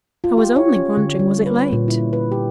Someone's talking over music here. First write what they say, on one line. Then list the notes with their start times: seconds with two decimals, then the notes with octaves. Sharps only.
I was only wondering was it late.
0.24 F4
0.38 G4
0.56 C#5
0.76 C#4
0.97 D3
1.19 G3
1.46 B4
1.73 A#2
1.88 E4
2.13 B4
2.32 G4